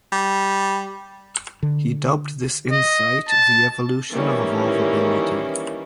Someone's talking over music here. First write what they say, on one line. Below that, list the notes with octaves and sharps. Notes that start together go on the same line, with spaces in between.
He dubbed this insight "the evolution of evolvability".
G3
D3
D#5
A5
D#3 E3 G3 A#3 C#4